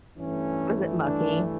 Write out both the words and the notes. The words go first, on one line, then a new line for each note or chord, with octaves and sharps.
Was it mucky?
G2 E3 A3 C#4
D4